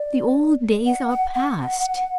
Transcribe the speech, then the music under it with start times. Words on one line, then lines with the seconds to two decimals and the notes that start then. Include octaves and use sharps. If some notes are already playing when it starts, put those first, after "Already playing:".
The old days are passed.
Already playing: D5
0.86 F#5
1.10 F#5
1.34 F#5